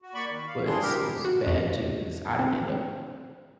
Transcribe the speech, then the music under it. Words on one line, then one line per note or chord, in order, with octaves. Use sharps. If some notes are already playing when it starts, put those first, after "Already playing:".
Was was bad too 'cause I didn't end up
F#4
A#3 D5 B5 C#6
D#3
F5
C4 D4 E4 G#4 C6
D2 A2 G4 A#4
F#4
F2
C4